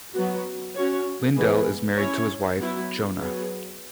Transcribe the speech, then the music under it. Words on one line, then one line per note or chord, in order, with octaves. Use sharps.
Lindell is married to his wife Johna.
F#3 B3 F#4
C#4 F#4 C#5
E3 G#3 B3 G#4
C#4 E4 C#5
F#3 B3 E4
F#3 B3 G#4